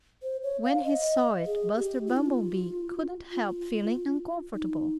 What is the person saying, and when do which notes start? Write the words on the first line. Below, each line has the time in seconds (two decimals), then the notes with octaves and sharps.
When he saw it Buster Bumblebee couldn't help feeling uncomfortable.
0.23 C5
0.43 C#5
0.63 F5
0.84 D#5
1.46 G#4
1.77 G4
2.07 F4
2.17 D#4
2.26 F4
3.31 F4
4.54 D#4